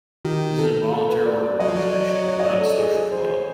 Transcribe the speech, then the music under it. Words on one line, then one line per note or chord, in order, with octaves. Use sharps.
This is a volunteer organization, not a social club.
D#3 G4
A4
A4
B4
D5
D5
F#3 D#5
F3
F#3 D5
D5
C#5
C#5
D#5
D5
A4
G#4
G#4
C5
C5
C#5